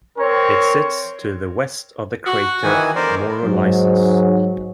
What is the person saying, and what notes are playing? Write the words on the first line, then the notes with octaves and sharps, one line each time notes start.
It sits to the west of the crater Maurolycus.
C4 A#4 C#5
F#4
D#3 E3 G#5
D3 G#3 B3 A#4 C5 D5
G#2 F#3